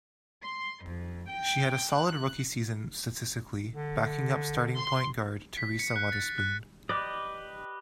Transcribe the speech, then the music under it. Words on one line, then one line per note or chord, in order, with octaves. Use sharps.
She had a solid rookie season statistically, backing up starting point guard Teresa Weatherspoon.
C6
F2
G5
F#6
D3
C6
B6
C#7
F#6
A6
F#6
G4 B4 D5 D#5